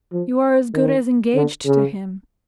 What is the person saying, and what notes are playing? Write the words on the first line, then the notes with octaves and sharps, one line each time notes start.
You are as good as engaged to him.
F3
D#3
D3
C#3